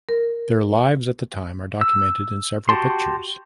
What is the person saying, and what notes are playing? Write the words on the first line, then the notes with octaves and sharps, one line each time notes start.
Their lives at the time are documented in several pictures.
A#4
E6
F#4 G4 A5 C6